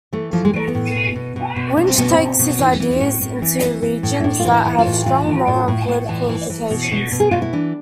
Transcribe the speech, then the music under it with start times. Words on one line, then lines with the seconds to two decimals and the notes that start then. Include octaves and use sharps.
Winch takes his ideas into regions that have strong moral and political implications.
0.13 E3 A3
0.33 E3 F3
0.45 G#3
0.53 E3 A3
0.68 B3
0.75 A2
0.95 B2
1.16 B2
1.36 B2
1.56 B2
1.77 B2 D4
1.88 C4
1.98 B2 B3
2.11 C4
2.18 B2
2.39 B2
2.59 E3
2.80 E3
3.00 A2
3.21 A2
3.42 E3
3.62 E3
3.82 E3
4.03 A2
4.20 E4
4.24 A2 D4
4.40 F4
4.45 E3
4.51 E4
4.65 E3
4.79 F4
4.86 A2
5.06 E3 F4
5.27 A2
5.47 A2
5.68 A2
5.88 A2
6.09 E3
6.29 E3
6.50 E3
6.71 B2
6.91 B2
7.12 B2
7.20 G#4
7.31 B2 F4
7.42 E4
7.53 E3 D4